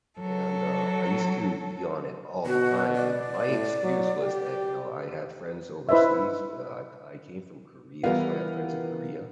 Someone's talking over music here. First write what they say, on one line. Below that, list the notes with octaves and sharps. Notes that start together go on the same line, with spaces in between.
And, uh, I used to be on it all the time, but my excuse was that, you know, I had friends overseas. I c I came from Korea, so I had friends in Korea.
F#3 A4
B2 F#4
D5
A2
F#3
G4
E4 B4 C5 D#5 E5
E3 G3 B3 F4 A#4 F5